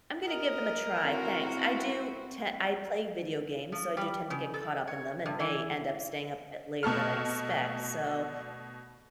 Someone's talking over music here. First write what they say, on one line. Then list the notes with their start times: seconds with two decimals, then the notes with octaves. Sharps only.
I'm gonna give them a try, thanks. I do te I play video games, so I do tend to get caught up in them and may end up staying up a bit later than I expect. So,
0.25 A#4 D#5
1.02 C4 E4 F#4
3.72 F3
3.97 G3
4.30 C#3
4.54 A4
4.87 C#5
5.26 G2
5.40 E3
6.83 B2 A3 A4 F6